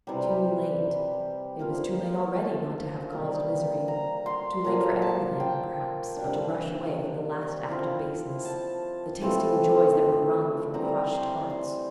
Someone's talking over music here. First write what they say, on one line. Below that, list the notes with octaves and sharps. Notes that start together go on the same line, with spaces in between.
Too late! it was too late already not to have caused misery; too late for everything, perhaps, but to rush away from the last act of baseness,--the tasting of joys that were wrung from crushed hearts.
C3 E3 G3 A#5
F3 A#3 F4
A5
C3 G3 A#3
A#5
C6
A#2 F3 A#3 A#5
A5
G5
C3 G3 D4
F3 C4 E4 F5
A5
E3 A3 C4 F4
E3 G3 C4 A#5
C6
C6